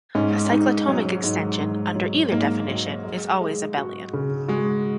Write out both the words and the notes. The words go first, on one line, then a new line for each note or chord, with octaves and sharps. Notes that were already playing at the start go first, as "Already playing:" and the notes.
A cyclotomic extension, under either definition, is always abelian.
G#2 C#4
C#4
G#2 D#4
F#3 C#4
G#2
G#2
F#3
G#2 A#3
F#3
G#3
G#3
F#4
C#3
G#3 F#4